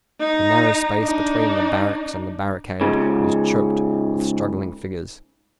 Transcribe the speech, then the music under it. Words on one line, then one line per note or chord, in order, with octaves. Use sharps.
The narrow space between the barracks and the barricade was choked with struggling figures.
D#4 A#5
D4 D#4
G#2 C#3